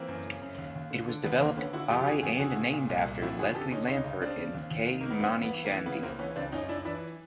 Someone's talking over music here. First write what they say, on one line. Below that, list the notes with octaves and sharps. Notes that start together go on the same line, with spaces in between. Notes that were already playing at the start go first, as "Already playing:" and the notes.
It was developed by and named after Leslie Lamport and K. Mani Chandy.
Already playing: E3 A#3 C4
F#2
C#3
F#2
D#2
D#2
D3
D3
D#2 B3
D#2 A#3 C4
D3 B3 C#4
D3 E4 F#4
F2 F4 G4
G4
D3 F#4 G#4
F2 F#4 G#4
D3 F#4 G#4
A#2
A#2
C2
A#2
F2 E4 F#4
D3 F#4 G#4
D3 G4 A4
D3 C#4 D#4
C#2 C#4 D#4
C#2
C#3 C4 D4
C#3
D#2
D#2
D#3
D#3 A#3
B3
G2 A#3 C4
E3
B3
E3
A#3
E3
C#3 B3
C#2 A#3 C4
E3 B3 C#4
C#2 C4 D4
F#2 C#4 D#4
F#2 D4 E4
E3 D4 E4